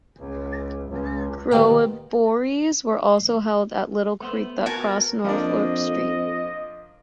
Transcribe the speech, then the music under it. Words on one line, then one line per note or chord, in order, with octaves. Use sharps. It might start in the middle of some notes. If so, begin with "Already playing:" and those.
Corroborees were also held at a little creek that crossed Norfolk Street.
C#2
C#2
D#2 D#3 B3 F4 G5 A#5
A3 B3 C5
F#4 A#4 G#5 A5
F2 F3 A#3 D4 D#5